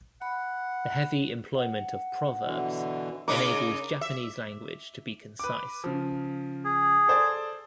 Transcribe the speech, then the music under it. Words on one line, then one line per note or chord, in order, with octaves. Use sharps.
The heavy employment of proverbs enables Japanese language to be concise.
F#5 B5
F#5
B2 D3 E3
C#3 D#4 A#4 D6
E5
B4 D6
C#3 F3
G#4
A4 C5 D5